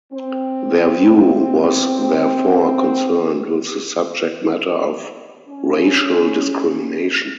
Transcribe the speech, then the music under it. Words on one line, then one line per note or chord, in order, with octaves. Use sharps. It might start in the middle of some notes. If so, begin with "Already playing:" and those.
Their view was therefore concerned with the subject-matter of racial discrimination.
C4
C#4